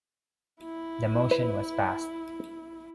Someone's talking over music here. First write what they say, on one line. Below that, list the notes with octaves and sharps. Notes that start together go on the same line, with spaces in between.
The motion was passed.
E4
B4